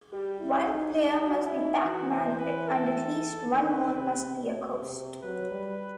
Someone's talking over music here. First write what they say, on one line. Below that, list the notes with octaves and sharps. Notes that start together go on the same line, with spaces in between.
One player must be Pac-Man, and at least one more must be a Ghost.
G3 G4
E4
F#3
D#4
G3 D#4
F#4
E4
D#4
E3 F#4
C5
B4
A4
D#3 B4
C3 B4
B2
C3
F#3 B4
G3